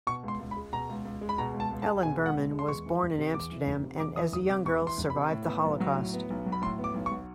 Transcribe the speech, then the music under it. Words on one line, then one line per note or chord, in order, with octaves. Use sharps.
Helen Berman was born in Amsterdam and as a young girl survived the Holocaust.
B2 C#6
C#2 C6
C#2
B5
G#3
B2 A#5
C#2
C#2
G#3
B5
B2 A#5
C#2
A5
C#2
A5
G#3
B2 G#5
C#2
F#5
C#2
G#3
C6
E2 C#6
E3
F1
C3
E2 D6
E3
F1
C3
E2 D6
E3 D#6
F1 D#6
C3 D6
E2 C#6
E3
C6
F1
C3 B5
A2
B3
B1
F#3
A2
B3
B1
F#3
B5
A2 C6
B3
D6
B1
C#6
F#3